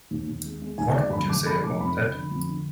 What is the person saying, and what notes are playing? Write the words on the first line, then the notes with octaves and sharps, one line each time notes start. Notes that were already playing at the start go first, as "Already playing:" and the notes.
What would you say about that?
D#2
D#2
G#3
G#3
D#2 G#5
G#3 D5
D3 B5
F1 D6
G#3 B5
F1 D6
F2 B5
F1
D3
F2
D3